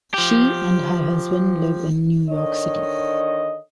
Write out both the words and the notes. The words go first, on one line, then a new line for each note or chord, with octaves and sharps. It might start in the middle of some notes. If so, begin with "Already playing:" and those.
She and her husband live in New York City.
F3 G4
D3 D#3 D4 C#5 D#5